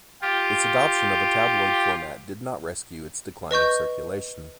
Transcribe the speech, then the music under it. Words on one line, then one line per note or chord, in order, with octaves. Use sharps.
Its adoption of a tabloid format did not rescue its declining circulation.
F4 G4
B4 D#5 C#6 G6